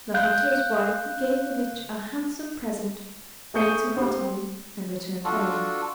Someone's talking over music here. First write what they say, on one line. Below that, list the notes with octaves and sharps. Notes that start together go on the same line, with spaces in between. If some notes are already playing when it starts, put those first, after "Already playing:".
The hunter's wife gave the witch a handsome present, thanked her heartily, and returned home.
F5 F#6 G6
A3 G#4 C#6 G6 C#7 D#7
C4 G4
D4 F4 F#4 A4